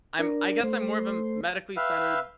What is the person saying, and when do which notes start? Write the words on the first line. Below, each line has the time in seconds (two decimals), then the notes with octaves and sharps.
I'm I guess I'm more of a medically centered
0.19 D4 A#4
0.63 A3 C5
1.77 B4 E5 F5 G5